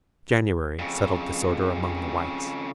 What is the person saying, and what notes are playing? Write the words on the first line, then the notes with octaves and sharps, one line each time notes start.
January settled disorder among the whites.
F2 C#3